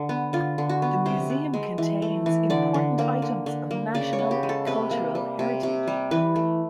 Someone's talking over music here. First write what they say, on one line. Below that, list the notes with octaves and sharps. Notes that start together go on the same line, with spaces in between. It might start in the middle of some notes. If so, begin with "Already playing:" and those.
The museum contains important items of national cultural heritage.
Already playing: D3
B3
D3 F4
D3
F#4
B3
C3 C5
B3
G#3
E3
A3
E3
D3 D5
D3
A#3
D3
D3
A#3
C#3 D5
C#5
B3
G4
G#3
A4
C3 B4
A#3
G3
C3
C3
G3
E3 B4
A3